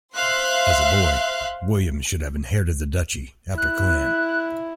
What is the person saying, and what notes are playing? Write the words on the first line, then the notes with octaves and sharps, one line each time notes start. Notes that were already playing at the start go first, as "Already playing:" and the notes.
As a boy, William should have inherited the duchy after Conan.
C5 E5 F5 C6 F#6
E4 F#6